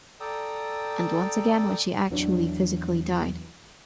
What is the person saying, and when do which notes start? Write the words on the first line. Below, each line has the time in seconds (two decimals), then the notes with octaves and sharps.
And once again when she actually physically died.
0.20 A4 D5 G5 A#5 D#6 E6
2.10 E2 E3 F#3 D4